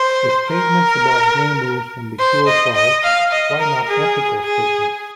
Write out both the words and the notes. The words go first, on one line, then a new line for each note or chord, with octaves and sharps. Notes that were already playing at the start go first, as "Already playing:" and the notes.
If statements about game rules can be true or false, why not ethical statements?
Already playing: C5
A#4
C5
D#5
D#5
F5
D#5
A#4
G#4
G#4